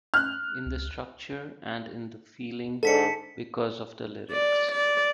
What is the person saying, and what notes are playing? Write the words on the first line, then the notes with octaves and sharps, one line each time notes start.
In the structure and in the feeling because of the lyrics.
F6 F#6
C#2
G#2 D3 A4 A5 B6 C#7
D5
D5